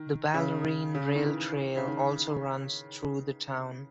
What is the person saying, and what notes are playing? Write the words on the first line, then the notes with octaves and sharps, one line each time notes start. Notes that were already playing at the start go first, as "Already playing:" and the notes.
The Bellarine Rail Trail also runs through the town.
Already playing: D#3
C#3
C#3
D#3
E3
C#3
D#3